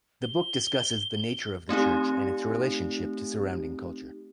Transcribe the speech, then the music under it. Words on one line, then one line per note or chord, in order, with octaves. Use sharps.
The book discusses the nature of the church and its relationship to surrounding culture.
G7
A3 C4 D#4 G4